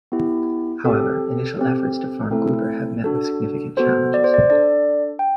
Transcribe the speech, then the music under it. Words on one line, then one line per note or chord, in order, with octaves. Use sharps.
However, initial efforts to farm grouper have met with significant challenges.
B3 E4 G4
C4 G4 A4
C4 G4
A3 C4 E4 A4
D4 F#4 A4
B3 F#4 A4 C5
D5
C5
D5
D4 A4 D5
G5